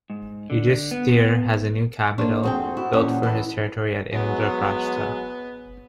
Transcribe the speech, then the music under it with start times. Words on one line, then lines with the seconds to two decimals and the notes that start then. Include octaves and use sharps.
Yudhishthira has a new capital built for this territory at Indraprastha.
0.10 G#2
0.50 D3
0.91 B3
2.18 A#3 D4 A4 C5 C#6
2.43 F2 C4 F#4 G#4 A4 G5
2.77 E4 F#4
2.93 E2 A#2 C#4 D4 F#5
3.23 E3 F#5 A5 B5
4.12 F#3 G#3 B3